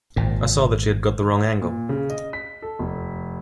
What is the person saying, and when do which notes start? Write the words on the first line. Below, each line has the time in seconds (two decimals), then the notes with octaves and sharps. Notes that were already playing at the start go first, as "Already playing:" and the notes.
I saw that she had got the wrong angle.
0.16 G#1 A#2
1.62 A#2
1.89 C#3
2.10 D#5
2.33 B6
2.62 A4
2.79 F1